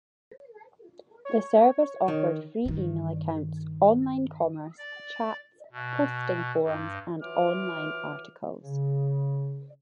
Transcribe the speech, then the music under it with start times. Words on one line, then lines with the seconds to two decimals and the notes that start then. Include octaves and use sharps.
The service offered free email accounts, online commerce, chats, posting forums and online articles.
1.25 C#5
2.08 D#3
2.65 G2 D#3
4.78 D5
5.73 B2
6.64 G2
7.22 E3 F#3 F4 D6 F6
8.63 C#3